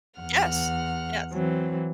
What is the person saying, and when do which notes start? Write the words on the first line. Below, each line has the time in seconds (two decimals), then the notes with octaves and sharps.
Yes, yes.
0.21 E2 F#5 F6
1.33 E3 F#3 C4